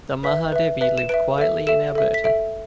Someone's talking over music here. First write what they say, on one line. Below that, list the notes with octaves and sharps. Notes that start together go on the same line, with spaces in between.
The Mahadevi lived quietly in Alberta.
B4 E5 B6
B4 E5
B4 E5
E7
B4 E5 D7
A4 E5
A4 E5 E7
A4 E5
B6
A4 E5 D7